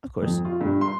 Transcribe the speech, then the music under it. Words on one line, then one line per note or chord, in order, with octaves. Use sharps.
Of course.
F2
F4
G2
C6